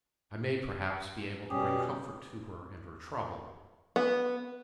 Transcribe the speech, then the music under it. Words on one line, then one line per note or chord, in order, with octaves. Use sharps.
I may, perhaps, be able to bring comfort to her in her trouble.
B2 G3 C#4 G4 G#4
B3